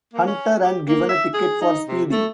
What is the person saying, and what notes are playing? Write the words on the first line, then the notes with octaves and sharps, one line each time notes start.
Hunter and given a ticket for speeding.
A#3
C#4
G4
A#3
E5
G#4
D#4
C3
A3